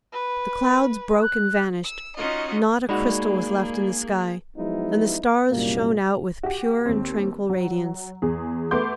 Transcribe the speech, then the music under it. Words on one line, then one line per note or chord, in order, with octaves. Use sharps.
The clouds broke and vanished, not a crystal was left in the sky, and the stars shone out with pure and tranquil radiance.
B4
F#6
E6
C#4 D#4 F4 F#4 D#5
G#3 A#3 D#4 F#4 G#4 D5 A#5 B5
F3 F#3 G#3 B3 D#4 E4
C2 F#2 A#2 G3 A#3
F#4 G4
D#2 C4
F#3
E2 G#4
A3 B3 C6 D6 G6